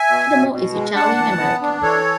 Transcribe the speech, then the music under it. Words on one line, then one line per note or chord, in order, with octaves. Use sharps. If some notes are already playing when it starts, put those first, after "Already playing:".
Adamo is Italian American.
Already playing: E5 G#5
B2
B2
B2
G#3
D4 F#5 A5
E3
B3
D4
E3 A4 C#5